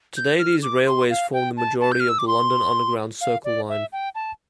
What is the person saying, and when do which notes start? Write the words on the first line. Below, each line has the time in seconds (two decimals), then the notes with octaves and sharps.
Today these railways form the majority of the London Underground's Circle line.
0.17 G6
0.39 F6
0.63 D6
0.87 C6
1.10 F5
1.33 G5
1.57 A5
1.80 A5
1.92 G6
2.00 F6
2.09 E6
2.18 D6
2.27 C6
3.21 F5
3.44 D5
3.69 E5
3.92 G5
4.15 A5